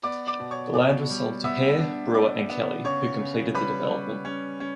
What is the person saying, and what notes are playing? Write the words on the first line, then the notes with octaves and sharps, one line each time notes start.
The land was sold to Hare, Brewer, and Kelley, who completed the development.
B3 D5 D6
D5 D6
B2
C#5 C#6
B2 D5 D6
G3
B3 E5 E6
D4
D4 D5 D6
B3
C#3 C#5 C#6
C#3
G3 B4 B5
G3
C#4
C#4